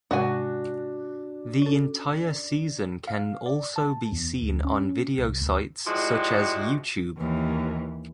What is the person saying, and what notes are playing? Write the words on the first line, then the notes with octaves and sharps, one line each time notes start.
The entire season can also be seen on video sites such as YouTube.
G#2 C3 G#3 D4 F#4 G#5
C#4 A4
F5
D5
A5
E2
D2
C#4
C2
D2
F3 G3 G#3 E4 F#4 G4
D#2 E3